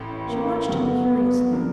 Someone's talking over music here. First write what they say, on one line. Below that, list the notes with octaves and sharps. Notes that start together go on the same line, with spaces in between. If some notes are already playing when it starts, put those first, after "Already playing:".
She watched him curiously.
Already playing: A1 A2 E3
A#3
G2 D3 F#3 B3
C3 F3 A#3 D4